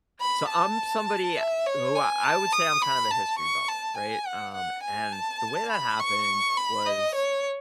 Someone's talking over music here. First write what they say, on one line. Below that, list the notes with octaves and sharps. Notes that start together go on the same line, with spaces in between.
so, I'm somebody who I would say I'm kind of a history buff, right, um, and the way that happened was-
B5
A5
E5
C#5
G#5
A5
D#6
B5
A5
C#6
A5
G#5
F#5
F#5
G#5
A5
B5
C#6
B5
D#5
C#5